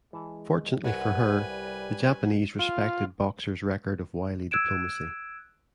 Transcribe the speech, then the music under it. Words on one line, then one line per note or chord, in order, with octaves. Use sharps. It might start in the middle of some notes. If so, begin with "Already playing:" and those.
Fortunately for her, the Japanese respected Boxer's record of wily diplomacy.
E3 G#3 A5
C2 G3 F#4 B4 F#5 G#5
F4
E6 F#6 G#6 D7 E7